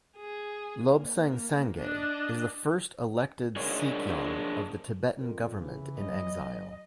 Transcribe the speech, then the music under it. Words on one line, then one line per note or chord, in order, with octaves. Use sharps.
Lobsang Sangay is the first elected sikyong of the Tibetan Government in Exile.
G#4
A#3
D4 D#5
D4 G#4 A#4 C5 C#5 D#5
F2 A#4
C#3 E3
F#3 D#5